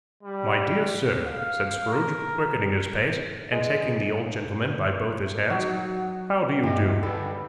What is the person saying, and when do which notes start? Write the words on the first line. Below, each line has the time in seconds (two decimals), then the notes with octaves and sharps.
'My dear sir,' said Scrooge, quickening his pace, and taking the old gentleman by both his hands, 'how do you do?
0.23 G3
1.27 F5
1.91 A#4
3.52 G#3
5.50 F#3 D#4 F#4
6.63 G2 E4 G4 D#5
7.03 G3 A4 B4 G5